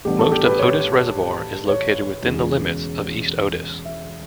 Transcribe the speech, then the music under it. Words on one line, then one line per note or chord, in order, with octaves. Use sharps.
Most of Otis Reservoir is located within the limits of East Otis.
A1 A2 G3 B3 D4 G4
A4
G4
B4
C#5
C#5
E1 E2 C#3
E5